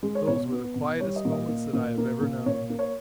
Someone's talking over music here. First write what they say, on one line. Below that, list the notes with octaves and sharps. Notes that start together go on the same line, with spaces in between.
Those were the quietest moments that I have ever known.
G#3
C#5
B2 C#5
B3
B2
G3 C#5
D#5
A#2
D#5
A#3
A#2
A#3
A#2
A#2 C#5
A#3
C#5